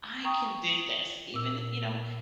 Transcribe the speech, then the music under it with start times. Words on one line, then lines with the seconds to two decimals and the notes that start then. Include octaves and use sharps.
I can do this, even" you know,
0.24 G5 A#5 C#6 D#6
1.34 A#2 E6